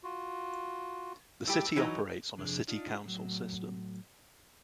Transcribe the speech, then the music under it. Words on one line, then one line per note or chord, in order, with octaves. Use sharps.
The city operates on a City Council system.
F4 F#4
A2 G3 G4 E6
E3 F#3 D#4
F2 C3 D4 G#4
D4 D#4 F4
A2 F#3